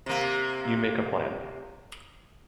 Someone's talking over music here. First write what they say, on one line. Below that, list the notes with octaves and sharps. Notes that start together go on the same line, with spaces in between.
You make a plan.
C3 A#3